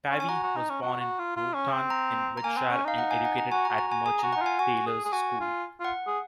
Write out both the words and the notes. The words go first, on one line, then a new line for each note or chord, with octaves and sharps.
Pavy was born in Wroughton in Wiltshire and educated at Merchant Taylors' School.
C#4
G#5
F#4 A#5
F#4
D#4
C#4
F#4
F#4
F4
F4
C#4
C4
A#5
A#5
A#3 G#5
C4
C#4
D#4 F5
F#5
G#5
F#5
A#5
F#4 G#5
F#4 A#5
A#5
F#4 G#5
G#4 G#5
F#4 A#5
D#4 F#5
F4 G#5
F#4 G#5
G#4
G#4
F#4 G#5
F4
F4 F#5
G#4